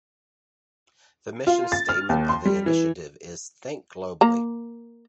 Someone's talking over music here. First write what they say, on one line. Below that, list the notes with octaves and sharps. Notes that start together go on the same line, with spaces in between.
The mission statement of the initiative is Think Globally.
F4
A6
F6
D#2
C6
G3
E3
A#3 A#5